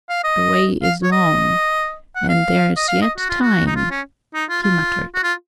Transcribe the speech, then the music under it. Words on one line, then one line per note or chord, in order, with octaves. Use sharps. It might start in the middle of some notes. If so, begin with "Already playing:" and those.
"The way is long and there's yet time," he muttered.
F5
D#5
F5
C#5
D#5
F#5
F5
D#5
F5
D#5
F#4
F4
F#4
D#4
F4
C#4
D#4
F4
F4
F#4
F4